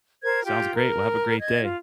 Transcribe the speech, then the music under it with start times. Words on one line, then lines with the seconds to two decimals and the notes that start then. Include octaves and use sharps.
Sounds, great, well, have a great day.
0.23 A#4 C5 G#6
0.45 F4 G4 G5
0.75 A#4
1.40 D#5 G#6
1.62 F4